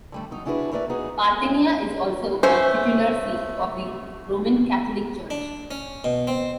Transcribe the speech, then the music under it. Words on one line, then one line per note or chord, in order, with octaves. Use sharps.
Parthenia is also a titular see of the Roman Catholic Church.
D3 G3 A3
F#3 D#4
C#4 D4 E4 F#4 G#4 B4
A3 A#3 B4 D5 E5
B3 D#4 F#4 G#4 B4
E3 A3 C#4 C5
D4
C#4
B2
C4